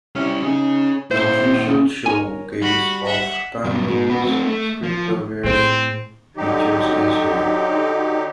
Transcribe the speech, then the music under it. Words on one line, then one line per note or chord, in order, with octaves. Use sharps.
The official showcase of Pango's script-aware features is here.
G3 C#4 E4
C#4 D#4 G#4
A#2 E4 C5
A#4 C#5 G#5
G3 F#4 B5
E5 F#5
G2 F#3
G#2 G#3
F#4 B4
A3 C4
A3
F3
A2 C4 G#4 C5
D3 F#3 D#4 G4